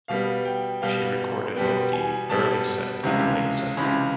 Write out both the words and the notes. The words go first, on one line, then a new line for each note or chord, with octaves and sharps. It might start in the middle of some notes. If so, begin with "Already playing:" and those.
She recorded both the early and the late set.
B2 G3 B3 F5
G5
B2 G3 B3 F5
B2 G3 B3 G5
G#5
B2 G3 B3 A5
C#2 C3 E3 G#3 C#4
C#2 C3 E3 G#3 C#4 B5